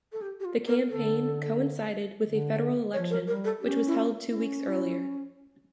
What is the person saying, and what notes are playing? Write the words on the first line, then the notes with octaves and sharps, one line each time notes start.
The campaign coincided with a federal election, which was held two weeks earlier.
A4
G4
G4
F4
A#4
D3 A4
D3
F3 C#5
A#4
G3 A#4
A4
C#4 G4
E4
F4
C#4 E4
E4